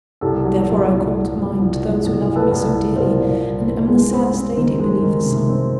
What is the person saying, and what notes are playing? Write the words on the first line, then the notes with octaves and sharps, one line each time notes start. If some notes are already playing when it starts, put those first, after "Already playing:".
Therefore I call to mind those who loved me so dearly, and am the saddest lady beneath the sun.
C2 G4 A4
F#3
A#2
C2
F#3
C2
C2
F#3
C2
C2
A4 B4
C2
C2
C2 A#4 C5
A#2
C2
C2
G#3 G#4
C4
C4
D#3
G#3
D#3
C3
C4